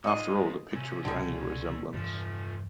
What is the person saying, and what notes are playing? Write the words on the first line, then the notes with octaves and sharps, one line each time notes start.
After all, the picture was only a resemblance.
E3 G#3 D#4 F4 D#5
C3 A3 C#4
C#2 B2 D3 G3 D4
E2 G2 E3 F3 A3